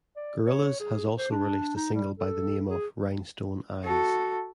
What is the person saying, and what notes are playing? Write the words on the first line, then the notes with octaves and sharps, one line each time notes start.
Gorillaz has also released a single by the name of "Rhinestone Eyes".
D5
C#5
G#4
C5
D4
D#4
G3
A4
G#4
F#4 A4